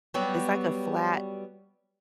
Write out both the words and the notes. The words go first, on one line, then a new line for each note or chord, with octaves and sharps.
It's, like, a flat
F#3 G3 B3